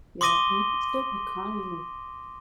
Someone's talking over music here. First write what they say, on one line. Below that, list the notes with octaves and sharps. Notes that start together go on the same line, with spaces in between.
Yeah, and you can still be kind
C6 D6 D#6 A#6 D#7 G7